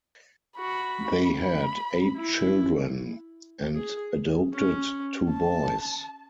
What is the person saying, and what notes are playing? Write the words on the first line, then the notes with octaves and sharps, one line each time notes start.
They had eight children and adopted two boys.
F#4 B5
B5
E4
G#4
C#4
A5